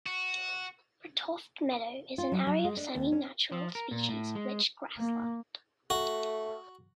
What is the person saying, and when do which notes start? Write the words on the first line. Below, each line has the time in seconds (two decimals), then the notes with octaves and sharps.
Bratoft Meadow is an area of semi-natural species rich grassland.
0.06 F#4
2.18 F4
2.32 F#3
2.47 F#3
2.64 G#3
2.77 D4
2.95 D#2
3.12 C#4
3.52 F3
3.75 A#4
3.91 A#2
4.09 A2
4.35 G#3
4.98 A#3
5.90 A3 F#4